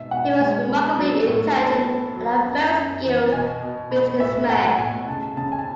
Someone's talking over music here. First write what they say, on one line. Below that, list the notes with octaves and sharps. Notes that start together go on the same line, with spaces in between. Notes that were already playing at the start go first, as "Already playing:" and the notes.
He was remarkably intelligent and a very skilled businessman.
Already playing: G#2 B2 E5
B2 F#5
G#3 G#5
B3
F#3
A2
B3 A5
B3
F#3
F#2
F#2
E3
B2 G#5
B2
B3
A2 E5
A2 F#5
F#5
A2 G#5
C#3 A5
C#3 A5
G#5
A5